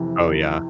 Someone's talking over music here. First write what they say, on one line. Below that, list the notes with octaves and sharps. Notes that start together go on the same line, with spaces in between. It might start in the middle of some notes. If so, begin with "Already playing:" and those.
Oh, yeah.
Already playing: F2 C3 E3